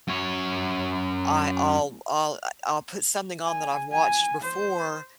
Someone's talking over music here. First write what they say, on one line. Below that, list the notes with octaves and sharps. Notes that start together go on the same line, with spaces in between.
I I'll I'll, uh, I'll put something on that I've watched before, i
F#2 C#5
G#5
G#5
C5